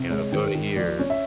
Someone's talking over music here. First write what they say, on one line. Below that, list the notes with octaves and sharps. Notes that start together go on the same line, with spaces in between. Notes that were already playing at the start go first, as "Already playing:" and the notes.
you know, "go to here,"
Already playing: C3
G#3 C#5
D#3
D#3
F3 D5
C#4
E5